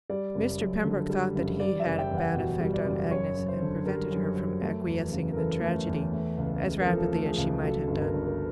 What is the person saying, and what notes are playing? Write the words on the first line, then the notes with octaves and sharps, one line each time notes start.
Mr. Pembroke thought that he had a bad effect on Agnes, and prevented her from acquiescing in the tragedy as rapidly as she might have done.
G3 D5
F#1
F#2
D3
G3
F#1
G3 D5
E5
F#1
G5
E2
F#5
B2
G3
D5
F#1
F#2 C#5
F#2
C5
D3
G3 A#4
F#2
F#2
A3
E2
C#3
A#4
E3 A4
A3
E2
A3
C#2
C#3
A#4
F3 A4
A3
G#4
C#2
F#3 A4
G1
A#4
G2
A#4